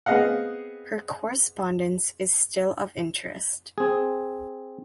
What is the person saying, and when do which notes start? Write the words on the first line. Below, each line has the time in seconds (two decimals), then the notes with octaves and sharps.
Her correspondence is still of interest.
0.06 B3 C4 G#4 D#5 F5 F#5
3.78 C4 G#4